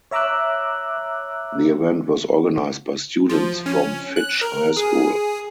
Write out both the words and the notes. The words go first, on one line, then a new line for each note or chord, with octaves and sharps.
The event was organized by students from Fitch High School.
C#5 E5 A#5 D6 E6 F#6
F3
C#4
F#6
A#4
G#4